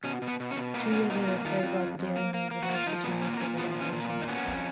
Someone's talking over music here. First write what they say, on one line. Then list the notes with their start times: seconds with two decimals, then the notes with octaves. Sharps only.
Two years later, Perry bought the "Daily News" and merged the two newspapers' operations.
0.04 B2 C#4
0.22 B2
0.27 B3
0.40 B2
0.51 C#4
0.57 B2
0.74 A#3 B3
0.92 B2 C#4
1.10 A#3 D#4
1.28 B2 F4
1.45 D#3 F4
1.63 F2
1.80 F2
1.99 F2
2.16 A#3
2.34 A#3
2.51 A#3
2.63 F#4
2.69 A#3
2.74 F4
2.87 F3 D#4
3.04 A#2 B3
3.21 A#3 C#4
3.34 B3
3.40 A#2 C#4
3.57 F3 B3
3.74 A#2
3.81 C#4
3.92 A#2
4.04 B3
4.10 A#3
4.21 D#4
4.28 B3 C#4
4.45 F2